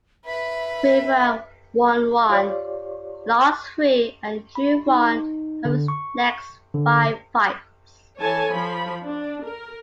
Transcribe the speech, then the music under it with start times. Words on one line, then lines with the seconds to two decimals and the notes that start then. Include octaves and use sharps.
Rivera won one, lost three and drew one of his next five fights.
0.25 B4 E5 B5
2.30 F4 G4 C#5 D5
4.55 B5
4.87 D#4
5.65 D3
5.88 C#6
6.74 D3
8.19 E3 A4 C#5 G#5 A5
8.51 F3 B5
9.03 D4
9.45 A#4